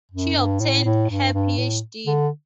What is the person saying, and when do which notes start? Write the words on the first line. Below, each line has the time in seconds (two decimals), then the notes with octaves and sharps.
She obtained her Phd.
0.12 F#2
0.36 G2
0.60 A2
0.84 A2
1.10 G2
1.34 G2
1.58 A2
2.07 D3